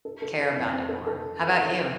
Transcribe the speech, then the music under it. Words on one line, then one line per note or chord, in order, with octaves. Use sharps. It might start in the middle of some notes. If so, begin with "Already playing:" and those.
care about it more. How 'bout you?
A4
A4
A4
F2
C4
A4
A4